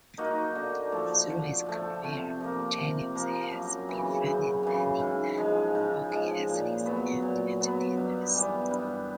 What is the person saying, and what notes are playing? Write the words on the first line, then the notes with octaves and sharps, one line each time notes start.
Through his career, Chelios has befriended many non-hockey athletes and entertainers.
A#3 D#4 F#4
D3
F3 A3
D3
F3 A3
C3
F3 A#3
C3
F3 A#3
F#2
C#3 E3
F#2
C#3 E3
G#2
F3 G#3
G#2
F3 G#3
A#2
F#3 B3
A#2
F#3 B3
G2
E3 G3 B3
G2